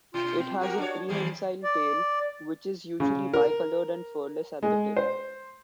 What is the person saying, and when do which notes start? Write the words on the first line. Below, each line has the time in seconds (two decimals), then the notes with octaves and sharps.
It has a prehensile tail which is usually bicoloured and furless at the tip.
0.14 B2 F4
0.39 C4
0.61 F#4 G4 A#4
0.78 D4 C#5
1.09 D#2 F3 G3 G#4
1.64 D5
3.00 C#3
3.33 A#4
4.63 G#3
4.96 C5